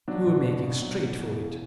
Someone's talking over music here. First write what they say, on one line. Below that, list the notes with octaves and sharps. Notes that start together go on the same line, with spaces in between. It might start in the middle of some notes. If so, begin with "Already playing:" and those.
You were making straight for it.
F#3 D4
B2
B2
B2
F#3
B2
E3
C#3